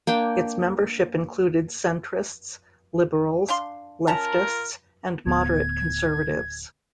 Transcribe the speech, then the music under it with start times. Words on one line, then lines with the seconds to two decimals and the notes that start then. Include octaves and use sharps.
Its membership included centrists, liberals, leftists, and moderate conservatives.
0.07 A#3 D4 G5
3.48 D4 F5 C6
4.07 C#4 F4 A#4 A5 A#5
5.26 D1 D2 B3 G#6